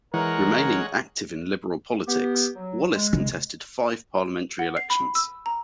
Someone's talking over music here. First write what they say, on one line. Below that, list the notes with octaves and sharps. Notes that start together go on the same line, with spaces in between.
Remaining active in Liberal politics, Wallace contested five parliamentary elections.
E3 G#3 A#4 C#5 F#5
B3 G4
F#3
G#3
C#3
F#5
C7
B5
E6
A#5